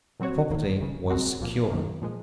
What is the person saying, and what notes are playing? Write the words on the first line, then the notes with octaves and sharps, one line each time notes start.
Property was secure.
A#2 F#3 C4 F#4 C#5
G#1 G#2 D#3 A#3
G#1 F#2 C#3
C2 A#2 G#3 C4 F#4
C2 A#2 F3 A#3
F#2 D#3 A#3
A#2 F3 G#3